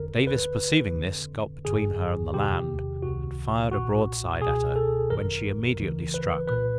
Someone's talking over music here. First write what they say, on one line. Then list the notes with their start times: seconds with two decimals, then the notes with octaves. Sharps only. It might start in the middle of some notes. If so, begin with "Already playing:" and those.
Davis perceiving this, got between her and the land, and fired a broadside at her, when she immediately struck.
Already playing: G1 F2 D3 A#4
0.27 D2 D3 B4
0.96 F2 D3
1.65 G1 G2 D3 G#4
2.34 E2 C3 D#3 G4
3.02 C#2 C3 D#3 F#4
3.72 B1 A#2 F#4
4.41 C#2 B2 G#4
4.76 A4
5.10 G#1 F#2 D#3 A#4
5.79 D2 C#3 E3
6.14 B4
6.48 C2 A#2 B4